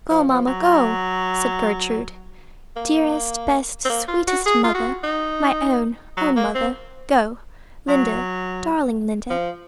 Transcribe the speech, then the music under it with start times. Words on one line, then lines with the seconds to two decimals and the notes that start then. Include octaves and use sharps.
'Go, mamma, go,' said Gertrude; 'dearest, best, sweetest mother--my own, own mother; go, Linda, darling Linda.
0.10 F3
0.29 F3
0.47 F#3
2.76 A#3
3.85 C4
3.90 A#3
4.08 F4
4.27 F#4
4.46 G#4
4.64 F4
4.75 F#4
5.03 D#4
6.17 F#3
6.36 A#3
6.55 C4
7.88 F#3
9.30 F3